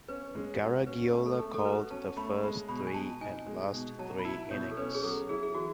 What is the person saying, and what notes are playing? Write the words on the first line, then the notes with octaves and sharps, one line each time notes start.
Garagiola called the first three and last three innings.
C#4 B4
G#3
F#4
C#4 B4
A3
A4
A3
A4
F#4 B4
C#4 A5
A3 B5
G#3 B5
B2 B5
G#5
B2 A5
D#4 G#5
G#3
B2
F#3 A5
B5
E4 A5
B2 C#5
A4
C#4 B4
G#4
F#3 A4
E4 G#4
G#4
E3 F#4